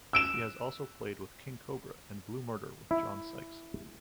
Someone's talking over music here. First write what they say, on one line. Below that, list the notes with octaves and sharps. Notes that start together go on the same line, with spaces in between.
He has also played with King Kobra and Blue Murder with John Sykes.
E6 D7 E7
E4